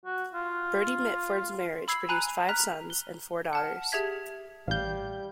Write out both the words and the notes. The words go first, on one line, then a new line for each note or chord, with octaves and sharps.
Bertie Mitford's marriage produced five sons and four daughters.
F#4
F4
B5 E6 G#6 C7
G#5 A#5 B5 F#6 D#7
A#5 F6 F#6 B6
G7
F#5 A5 F6
G4 G#4 E5 G#6 B6
A1 G3 F5 G6